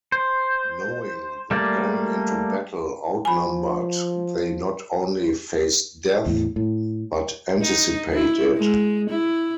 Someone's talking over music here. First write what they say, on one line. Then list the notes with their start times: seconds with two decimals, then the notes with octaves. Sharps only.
Knowing that going into battle outnumbered they not only face death but anticipate it.
0.12 C5
1.51 G3 A3 A#3 D5
3.25 F3 G#5 B5
6.26 E2 A2
6.56 A2
7.61 D#4
8.12 E4
8.57 G#3
9.10 E4